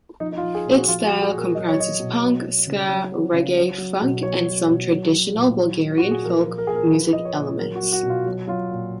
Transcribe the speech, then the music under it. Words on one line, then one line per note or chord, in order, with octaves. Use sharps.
Its style comprises punk, ska, reggae, funk and some traditional Bulgarian folk music elements.
F3 D#4
D#4
F4
F3
G#4
A#2
F#4
F3 F4
F#4
F3
G#4
A#2
A#4
F#3 D#5
C#5
F#3 D#5
B2
F#3
F#3
C#3
F#3
F#3
C#3
F#3
F#3
B2
F#3 C#5
F#3
B2
F#3
F#3
A#2
F#3
F#3
A#2 F#4
G#4
F3 A#4
F3
A#4
A#2 G#4
A#4
F3 B4
F3 D#5
C#5
A#2
F#3 A#4
F#4
F#3
F#4
B2
F4
F#3
F#3 F4
A#2